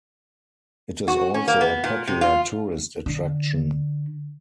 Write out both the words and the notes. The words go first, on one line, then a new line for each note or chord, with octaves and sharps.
It is also a popular tourist attraction.
F#4
C#4
A#3
B3
A#2
C3
F4
D3